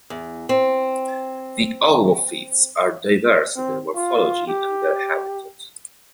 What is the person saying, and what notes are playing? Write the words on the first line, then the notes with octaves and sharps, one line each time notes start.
The Ulvophytes are diverse in their morphology and their habitat.
E2
C4
C4
F4
G4